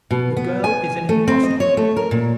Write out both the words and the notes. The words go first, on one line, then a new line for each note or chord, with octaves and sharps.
The girl is an impostor.
B2
B3
G#5
A3
C4
D#5
C#5
A3
A#4
A#2